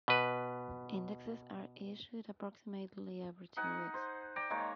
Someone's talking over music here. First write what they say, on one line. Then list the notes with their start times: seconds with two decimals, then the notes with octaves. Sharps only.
Indexes are issued approximately every two weeks.
0.08 B2 B4
3.57 D#4 F#5 G#5
3.94 C5
4.36 D5 G5 A#5
4.50 D#3 G#3 A#3 C#5